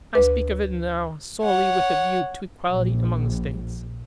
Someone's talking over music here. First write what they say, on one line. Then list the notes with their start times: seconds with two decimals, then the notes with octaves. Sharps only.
I speak of it now solely with a view to equality among the States.
0.13 D2 B4 D6
1.42 C#5 F#5
2.70 A#1